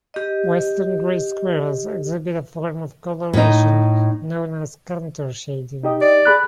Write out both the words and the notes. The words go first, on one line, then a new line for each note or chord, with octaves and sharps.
Western gray squirrels exhibit a form of coloration known as counter shading.
G4 D#5
A2 D#4
D#4 G4 D#5
D5
G#4 B5 F#6